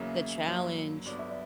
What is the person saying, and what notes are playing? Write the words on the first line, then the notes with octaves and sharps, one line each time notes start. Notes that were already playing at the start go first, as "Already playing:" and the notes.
The challenge.
Already playing: E2 C#3 F#3 A#3 C#4 E5
G2 F#3 A#3
G2 D3 F#3 B3 D5
E5
D5